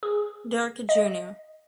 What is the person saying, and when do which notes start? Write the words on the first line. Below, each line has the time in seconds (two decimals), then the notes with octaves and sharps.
Durkee Jr.
0.03 G#4
0.89 D#5